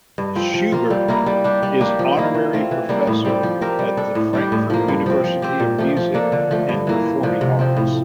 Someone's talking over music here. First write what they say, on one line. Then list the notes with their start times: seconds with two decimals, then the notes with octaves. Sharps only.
Schubert is honorary professor at the Frankfurt University of Music and Performing Arts.
0.18 G2
0.36 F3 C4
0.54 F3
0.72 A#3 F4
0.90 G3
1.08 A#3 E4 A#4
1.26 G3
1.44 D4 G4
1.63 G3
1.81 A#3 D4 G4
1.99 F3
2.17 A#3 E4
2.34 E3
2.53 A3 C4 F4
2.71 E3
2.89 G3 A#3 D4
3.07 A2
3.25 G3 C4 G4
3.43 F3
3.61 C4 G4 A#4
3.79 G3
3.97 D4 A4
4.15 A2
4.33 G3 D4 G4
4.52 A2
4.70 F3 A#3
4.88 G2
5.06 F3 C4
5.24 F3
5.42 C4 G4
5.60 A#2
5.78 F3 A3
5.97 F3
6.14 A#3 D4 A4
6.32 D3
6.51 F3 A3
6.69 G2
6.87 E3 A#3
7.05 G2
7.23 D3 F3
7.41 C3
7.59 F3 C4
7.77 A2